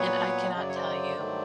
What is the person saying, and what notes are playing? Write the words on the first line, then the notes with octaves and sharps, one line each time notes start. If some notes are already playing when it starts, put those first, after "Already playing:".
and I cannot tell you
Already playing: A#2 F#3 B3 B4 C#5
F#2 C#3 F#3 D#5
D5
C#5
C5 D5
G2 D#3 F#3 A3